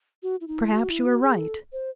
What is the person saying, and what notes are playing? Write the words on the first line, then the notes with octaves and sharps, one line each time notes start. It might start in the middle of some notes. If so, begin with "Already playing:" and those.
Perhaps you are right.
F#4
E4
D#4
E4
F#4
E4
F#4
G#4
A4
C5